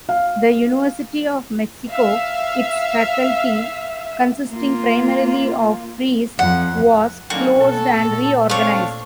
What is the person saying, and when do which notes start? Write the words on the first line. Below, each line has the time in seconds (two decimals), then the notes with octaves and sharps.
The University of Mexico, its faculty consisting primarily of priests, was closed and reorganized.
0.09 F5
1.88 E5 F5
4.50 A#3 F4
6.39 F2 F#5
7.30 D3 D#3 F#3 A#3 C#4 F#4
7.60 B2 A4
8.00 A#2
8.50 A3 C4 D4 C#5 F5